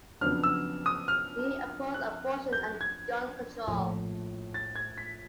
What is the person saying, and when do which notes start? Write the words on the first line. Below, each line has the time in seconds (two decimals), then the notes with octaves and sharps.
He opposed abortion and gun control.
0.21 F2 C#3 F#3 B3 D4 F6
0.44 E6
0.86 D#6
1.08 F6
1.94 F#6
2.53 G6
2.81 G#6
3.67 A#1 A2 F3 A3
4.54 A6
4.76 G#6
4.98 B6